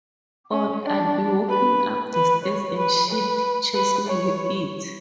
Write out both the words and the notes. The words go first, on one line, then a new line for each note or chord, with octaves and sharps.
Or I'd be walking up the stairs and she'd chase me with it.
C#4
D4
B4
B4
C#5
B4
B4
B4
C#5